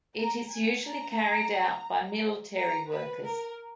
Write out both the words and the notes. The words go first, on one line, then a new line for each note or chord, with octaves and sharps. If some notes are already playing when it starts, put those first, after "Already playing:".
It is usually carried out by military workers.
A#5
G#5
A#5
A#5
B4
A#4